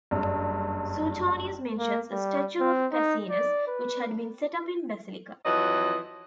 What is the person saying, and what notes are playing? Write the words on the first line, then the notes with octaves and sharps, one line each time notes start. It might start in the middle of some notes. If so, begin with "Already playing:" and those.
Suetonius mentions a statue of Passienus, which had been set up in the Basilica.
F#1 G2
A#3
G3
C4
D#4
D5
B4
F2 E3 F#3 D#5